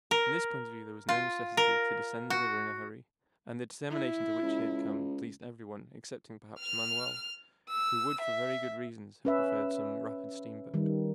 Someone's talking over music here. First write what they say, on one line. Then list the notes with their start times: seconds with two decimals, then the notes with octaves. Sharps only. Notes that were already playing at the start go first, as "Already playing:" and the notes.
From this point of view there was no necessity to descend the river in a hurry. And the determination to which he had come pleased every one, excepting, perhaps, Manoel, who would for very good reasons have preferred some rapid steamboat.
0.11 A#4
1.09 F4
1.57 A#4
2.30 F#4
3.90 E4
4.43 C#2
6.59 F6
7.69 E6
8.21 E5
9.25 C#4 B4 E5
10.74 D#3 G3